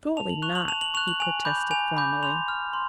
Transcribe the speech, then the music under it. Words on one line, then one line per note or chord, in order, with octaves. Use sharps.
'Surely not!' he protested formally.
A5 F7
F#7
C#6 F#6 F7
F#7
A5 F7
F#7
C#6 F#6 F7
F#7
G#5 F7
B5 D6 G6
G#5 F7
B5 D6 G6
C6 F7
F6
C6